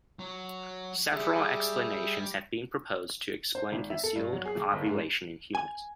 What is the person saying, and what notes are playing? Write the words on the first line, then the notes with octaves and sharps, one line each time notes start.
Several explanations have been proposed to explain concealed ovulation in humans.
F#3
G3 G#4 E5
C5
G#1
E5
A4
G2
F#3
G#4
G1
G#2
G#5